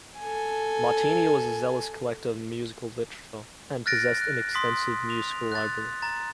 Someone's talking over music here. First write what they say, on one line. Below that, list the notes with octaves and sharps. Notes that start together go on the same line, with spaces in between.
Martini was a zealous collector of musical literature, and possessed an extensive musical library.
A4 G#5
F6 F#6 A6 A#6 D7
F#6
C6 D#6 B6
F7
F#6 A6
A#5 A6